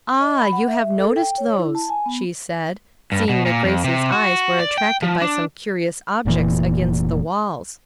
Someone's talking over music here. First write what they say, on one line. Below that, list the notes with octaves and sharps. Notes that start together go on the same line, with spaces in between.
"Ah! you have noticed those," she said, seeing that Grace's eyes were attracted by some curious objects against the walls.
D#5
B5
F#5
E5
A4
G5
C#5
E4
A5
G#5
B3
G2
B2
A#2
F2
C3
F#4
D5
G5
F3
D4
F1 A#2 E3